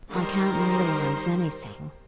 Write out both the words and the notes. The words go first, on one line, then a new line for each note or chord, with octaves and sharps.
I can't realise anything.
D#3 G3 A#4 C5